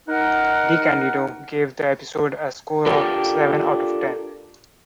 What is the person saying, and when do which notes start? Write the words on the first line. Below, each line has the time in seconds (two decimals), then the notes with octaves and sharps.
DeCandido gave the episode a score of seven out of ten.
0.07 D#4 A#4 F#5
2.86 D4 F4 G4 A4 A#4